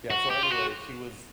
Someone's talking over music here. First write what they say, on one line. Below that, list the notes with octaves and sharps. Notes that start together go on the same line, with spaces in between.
Yeah, so anyway, she was
F#4
G4
F4
F#4